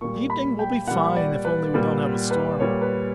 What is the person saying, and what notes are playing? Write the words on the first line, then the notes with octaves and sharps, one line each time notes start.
The evening will be fine, if only we don't have a storm.
A#2 G3 C#6
B5
G5
A#2 G3 F#5
D5
B4
A#2 G3
B4
A#2 G3 C#5
B4